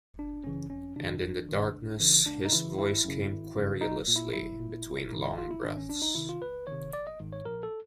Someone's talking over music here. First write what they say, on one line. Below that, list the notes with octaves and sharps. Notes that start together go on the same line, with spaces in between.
And in the darkness his voice came querulously between long breaths.
G1 D4
F#2 C#3 E3 C#4
F2 C#4
C3 D#3 D4
F2
C3 D#3
C#2
C#3 E3
C#2 D4
D#4
C#3 E3 E4
G#1 E4
F#2 C#3
G#1
F#2 C#3
B1 D#4
A#2
E4
B1 E4
A#2
G#1
G#2 D#3
G#1 F4
E4
G#2 D#3 D4
C#4
C#2 D4
D#4
C3 D#3 E4
F4
C#2 B4
C3 D#3 C#5
A#1 D5
D#5
G#2 D#3
C#5
A#1 A#4
A4